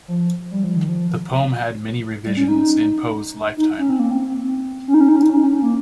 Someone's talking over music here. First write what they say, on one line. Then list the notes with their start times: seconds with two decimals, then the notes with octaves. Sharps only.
The poem had many revisions in Poe's lifetime.
0.08 F3
0.51 G3
0.64 F3
0.76 D#3
0.89 F3
2.26 G3
2.37 C#4
2.48 D#4
2.59 D#4
3.57 D#4
3.79 C#4
3.89 C4
3.99 A#3
4.11 C4
4.88 C#4
4.94 D#4
5.01 C#4
5.08 D#4
5.16 C#4
5.22 D#4
5.30 C#4
5.37 D#4
5.43 C#4
5.62 A#3